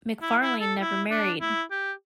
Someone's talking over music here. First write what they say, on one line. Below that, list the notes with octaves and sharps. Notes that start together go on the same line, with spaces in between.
McFarlane never married.
E4
E4
A4
E4
D4
E4
G4